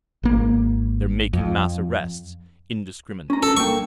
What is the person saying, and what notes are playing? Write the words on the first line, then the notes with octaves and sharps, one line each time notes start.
They're making mass arrests, indiscriminately.
G#1 A#3
F2
C#4 A#5
A4
G2 A#3 G5 C#6